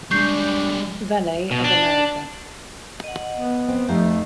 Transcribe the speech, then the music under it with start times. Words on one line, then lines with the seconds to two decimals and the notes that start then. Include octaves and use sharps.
Valet of America.
0.11 G3 G#3 D4 C#6 G6 C7
1.51 B2
1.64 D4
3.04 D#5 F#5
3.35 B3
3.68 C4
3.89 F2 A3 D#4 G4 F5
4.07 E5